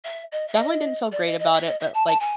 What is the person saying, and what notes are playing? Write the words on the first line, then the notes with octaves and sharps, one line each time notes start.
definitely didn't feel great about it, but, like,
E5
D#5
E5
D#5
D5
D#5
D#5
E5
D#5
E5
A5
A5
G#5